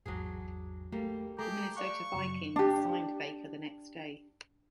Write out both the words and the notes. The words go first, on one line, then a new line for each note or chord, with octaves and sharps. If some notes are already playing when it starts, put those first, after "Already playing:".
The Minnesota Vikings signed Baker the next day.
A1 E2 G#2 F#3 D4 G#4
G3 A3 A#3 A4
A3 G4 G#4 A#5 D6
D5 F5 C#6 F#6
F#2 C#3 F#3
D4 G4